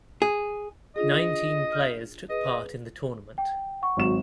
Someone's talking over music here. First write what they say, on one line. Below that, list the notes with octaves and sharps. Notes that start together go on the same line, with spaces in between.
Nineteen players took part in the tournament.
G#4
D4 F4 G#4 D#5
F6 G6
G#4 B4 D#5
G5
F#5 C#6
G#1 F#3 E7